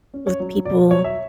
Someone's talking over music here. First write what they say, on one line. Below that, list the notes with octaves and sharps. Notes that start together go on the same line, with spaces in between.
with people
C#4
C#5
F#3
B2 D5
F#3 C#5
E5